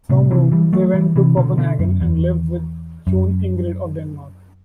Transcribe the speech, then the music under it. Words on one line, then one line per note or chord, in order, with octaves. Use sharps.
From Rome they went to Copenhagen, and lived with Queen Ingrid of Denmark.
A2 C3
C3 E3
E3 G3
F#3 A3
E3 G3
C3 E3
B2 D3
B2 D3
F#2
E2
F#2